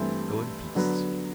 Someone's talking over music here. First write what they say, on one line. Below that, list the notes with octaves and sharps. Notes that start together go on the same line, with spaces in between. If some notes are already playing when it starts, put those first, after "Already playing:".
Go in peace!
Already playing: G2 E3 A3 C4 E4
D3 F#3 B3